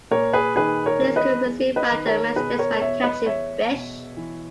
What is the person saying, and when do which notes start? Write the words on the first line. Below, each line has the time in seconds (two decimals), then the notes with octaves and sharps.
Players could receive random messages by catching fish.
0.11 A#2 A#4 C#5
0.33 G#4 B4
0.56 D#3 G#4 B4
0.86 A#4 C#5
1.01 E2
1.16 B4 D#5
1.46 E2
1.76 B4 D#5
1.91 D#3
2.06 A#4 C#5
2.36 B2 G#4 B4
2.59 A#4 C#5
2.81 E2 C#5 E5
3.03 B4 D#5
3.26 E2 C#5 E5
3.71 B2
4.17 E3